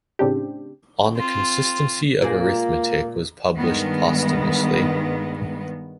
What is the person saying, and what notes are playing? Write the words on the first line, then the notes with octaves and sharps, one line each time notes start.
"On the consistency of arithmetic" was published posthumously.
A2 C#3 C4 D4 G4
C4 F4
A#2 G#3 A#3
G2 D#3 G#3 B3